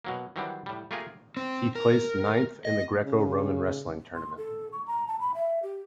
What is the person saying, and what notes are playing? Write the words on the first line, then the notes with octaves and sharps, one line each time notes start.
He placed ninth in the Greco-Roman wrestling tournament.
B2 F#3 A#3
D#3 E3 F#3 G3 C4 D4
A2 G3
A3 A#3 F4 G4 G#4 A#4
C4
A#4
D#5
C#3
C6
A4
C#6
A#5
A5
B5
E5
G4